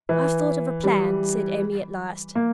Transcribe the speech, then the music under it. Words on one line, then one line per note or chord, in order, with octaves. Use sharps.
"I've thought of a plan," said Emmy at last.
E3
G3
A#3